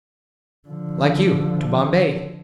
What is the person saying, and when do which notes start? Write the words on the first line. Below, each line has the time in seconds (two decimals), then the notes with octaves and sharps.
"Like you, to Bombay."
0.68 D3 F3